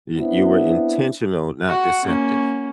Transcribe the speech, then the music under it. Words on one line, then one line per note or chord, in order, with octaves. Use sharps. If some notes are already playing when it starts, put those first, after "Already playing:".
Y you were intentional, not deceptive.
B3 C4 D4 E4
F#4 F#5
A#3 C#4